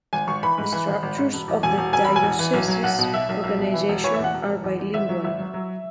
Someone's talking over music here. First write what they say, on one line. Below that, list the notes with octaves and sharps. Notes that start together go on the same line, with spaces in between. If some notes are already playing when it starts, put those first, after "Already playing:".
The structures of the diocese's organization are bilingual.
G#1 G#5
G#1 C#6
E3 B5
G#2
E3 B5
G#1
G#1
G#2
E1
E2
E1 G#5
E1
E1 G#5
E1 B5
G#5
E2
E3
B1
F#3
B1 F#5
B2
B1 E5
B1
B1
B2
E3
E1
E3 C#5
E5
E2 F#5
E1
E1
E2
E2
G#1 E5
F#3
G#1 E5
F#3
F#3